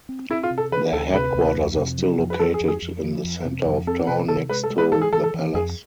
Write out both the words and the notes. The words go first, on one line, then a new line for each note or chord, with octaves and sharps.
Their headquarters are still located in the centre of town, next to "the palace".
C4
C4 E4
F4
C3
A4
E3 B4
D2 A4
C3 B4
D2
F2
C3
F3
F2
B4
F3 A4
G#4
F2
G#4
F2
F3
F2
C3
F2
C4 A4
C3 B4
C3 A4
G#3 B4
A4
G#3
B4
E3 A4
G#4
E3 A4
A4
E3
F2 G#4